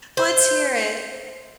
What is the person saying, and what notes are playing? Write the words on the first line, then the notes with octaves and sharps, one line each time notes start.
Let's hear it.
C5